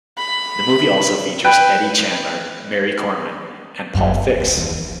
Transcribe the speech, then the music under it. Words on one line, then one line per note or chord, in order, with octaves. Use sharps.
The movie also features Eddy Chandler, Mary Kornman, and Paul Fix.
B5
B4 G5
F#1 F#2
C#4
C#2
D#2
F3